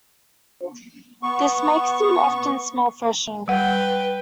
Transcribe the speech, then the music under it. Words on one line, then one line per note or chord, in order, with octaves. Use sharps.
This makes them often smell fresher.
B3 C#6
G3 B4 F#5 G5